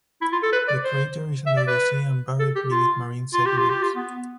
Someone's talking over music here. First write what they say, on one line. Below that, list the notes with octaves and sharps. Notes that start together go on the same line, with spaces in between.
The crater is under the sea and buried beneath marine sediments.
E4
F4
A4
B4
D5
C5
E5
D5
B4
A4
G4
F4
F4
G4
F4
G4
F4
B3